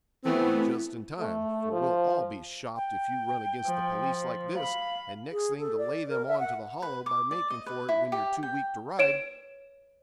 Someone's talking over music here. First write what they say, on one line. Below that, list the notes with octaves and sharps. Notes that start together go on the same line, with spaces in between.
You'll be just in time, for we'll all be shopped if you run against the police like this, and next thing to lay them on to the Hollow by making for it when you're too weak to ride.'
E3 A3 B3 C4 E4
A3
F3
G5
F3
F5 B5
G#4
A4
D5
A#4
E5
F#5
B4
D6
D5
D#5
B4
E4
G4
G5
C#5 D7 E7